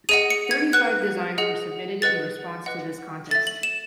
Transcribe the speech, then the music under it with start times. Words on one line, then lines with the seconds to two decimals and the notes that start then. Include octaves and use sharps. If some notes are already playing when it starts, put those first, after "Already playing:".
Thirty-five designs were submitted in response to this contest.
0.09 G#4 D#5 F#5 D#7
0.30 C#7
0.51 G#6
0.73 B4 F#5 F#6
1.38 G#4 D#5 F#5
2.02 G#4 B4 D#5 F#5 A6
2.66 B4 D#5 F#5
3.31 A4 E5 A6
3.47 F#7
3.63 E7